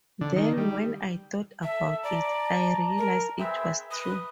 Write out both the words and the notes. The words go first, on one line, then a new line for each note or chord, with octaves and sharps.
Then when I thought about it, I realized it was true.
D3
D#3
G3
A4 E5
D5 A5 A#5
A#4
C4 G#4 B4 E5
B4 D#6